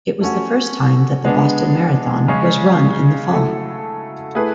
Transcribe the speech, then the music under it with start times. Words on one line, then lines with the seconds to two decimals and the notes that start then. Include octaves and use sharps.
It was the first time that the Boston Marathon was run in the fall.
0.21 A3 C#4 F#4
1.25 G#3 B3 D4
2.28 C#3 G#3 C#4
3.32 F#3 A3 E4 A4
4.35 A3 E4 G#4 B4